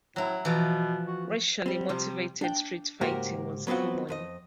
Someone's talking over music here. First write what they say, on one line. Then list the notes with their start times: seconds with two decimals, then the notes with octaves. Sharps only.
Racially motivated street fighting was common.
0.16 A2 F#3 E4
0.45 B2 E3 F3
1.07 F#4
1.66 G3 C4
1.89 C3 F3 G3
2.41 D4 G5
3.01 C#2 G#2 A#3 F#4 G4 A#4
3.67 F#3 B3 C4 F4 F#4
4.09 F2 B4 D#5